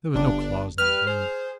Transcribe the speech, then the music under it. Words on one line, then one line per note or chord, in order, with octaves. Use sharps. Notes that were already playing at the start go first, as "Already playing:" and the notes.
There was no clause in the agreement.
G1 D4
G3 B4 F6
G#4 C5